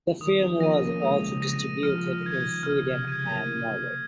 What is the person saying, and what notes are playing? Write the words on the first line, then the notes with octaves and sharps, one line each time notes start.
The film was also distributed in Sweden and Norway.
D#3 D#6
F3
A#3 C#4 A#6 D#7
A#3 C#4
G#3 C4 D#6
C#3
C#3 A#6 D#7
F3 F6
D#3 G#6 D#7
C#3 F6
C3
C#3 G#6 D#7
F#3 A#3